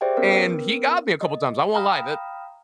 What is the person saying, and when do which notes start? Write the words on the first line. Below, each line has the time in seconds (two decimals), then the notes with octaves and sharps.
and he got me a couple of times, I won't lie. The
0.01 G4 G#4 C5 D5 E5 G5
0.17 B3 C#4 A#4 B4
1.21 D#5
1.74 F5 G5 A#5 B5 D#6 F6